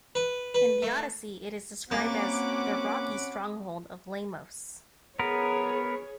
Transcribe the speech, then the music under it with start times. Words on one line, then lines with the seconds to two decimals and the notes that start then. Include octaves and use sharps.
In the "Odyssey", it is described as the rocky stronghold of Lamos.
0.15 B4
0.54 B4
0.82 A3
1.91 A#3 C4 C#4 F#4 F#5 B5 D6
5.19 B3 G#4 A#4 C#5